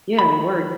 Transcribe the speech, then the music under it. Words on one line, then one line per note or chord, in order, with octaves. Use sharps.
yeah, it worked,
B5